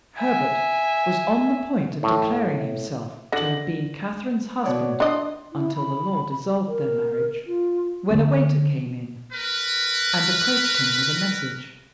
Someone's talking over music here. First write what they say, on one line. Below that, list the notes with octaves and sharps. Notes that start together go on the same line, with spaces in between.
Herbert was on the point of declaring himself to have been Catherine's husband, until the law dissolved their marriage--when a waiter came in and approached him with a message.
E5 G#5
A2
D3 A#6 F#7
B2 C#5 D5
D4 D#5 C6
E4
B5
A#4
F4
D3 E3 F3 B3
A#4 B4